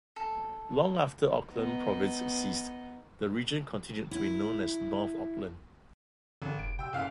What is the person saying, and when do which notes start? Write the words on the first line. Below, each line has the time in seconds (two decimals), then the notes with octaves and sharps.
Long after Auckland Province ceased, the region continued to be known as North Auckland.
0.16 A4
1.50 B3 D#4
4.11 E4
6.42 G#1 D3
6.59 F1 D7
6.79 C3 G5 E6
6.93 F#1 F5 F6